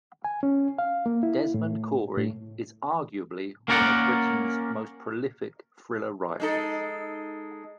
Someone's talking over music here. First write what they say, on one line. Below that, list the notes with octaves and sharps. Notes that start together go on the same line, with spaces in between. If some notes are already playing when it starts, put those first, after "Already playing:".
Desmond Cory is arguably one of Britain's most prolific thriller writers.
G#5
C#4
F5
A#3
E4
A2
A2
A#3 C#4 A#4 D5 F#5
G#3 D#4 A4